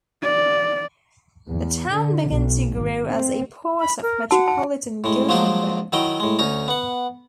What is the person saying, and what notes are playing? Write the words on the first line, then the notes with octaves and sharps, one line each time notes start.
The town began to grow as a part of Metropolitan Gothenburg.
D5
E2
D3
B1
G#1
C4
B5
A#4
F#4 F#5 A5
A5
A2 G#3
F3 F#3 G#3 A#3 D4 D#4
D#3 F#3 E4 D#5 G5
A2 G#3
D2 C#4 D#4 A#5
B3 F#5